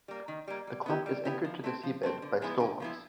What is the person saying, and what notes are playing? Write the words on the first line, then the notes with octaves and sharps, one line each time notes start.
The clump is anchored to the seabed by stolons.
G3 A#3
D#3
G3 A#3
G3
B3 E4 G4
G3
B3 E4 G4
F3
A3 C4
F3
A3 C4
D3
F3 G#3 B3 E4
D3
F3 G#3 B3 E4